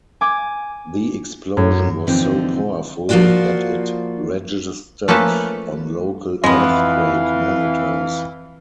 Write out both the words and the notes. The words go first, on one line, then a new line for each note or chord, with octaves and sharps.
The explosion was so powerful that it registered on local earthquake monitors.
G#5 D6
F#2
E2 A#2 D3 F3 C4 D#4
F3 A#3 F4 F#4 C5 D5
F3 A3 A#3 C#4 A4 B4
F2 E3 G#3 B3 F5